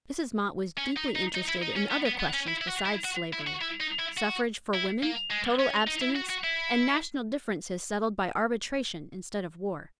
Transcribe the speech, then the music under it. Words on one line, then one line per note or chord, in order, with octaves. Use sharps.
Mrs. Mott was deeply interested in other questions besides slavery,--suffrage for women, total abstinence, and national differences settled by arbitration instead of war.
C#4
D#4
D#4
D#4
E4
D#4
C#4
B3
B3
B3
C#4
E4
E4
F#4
E4
F#4
E4
F#4
E4
D#4
E4
F#4
E4
A#3
G#3
C#4
D#4
E4
F#4
F#4
E4